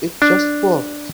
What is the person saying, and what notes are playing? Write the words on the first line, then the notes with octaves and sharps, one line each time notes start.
It just worked.
D4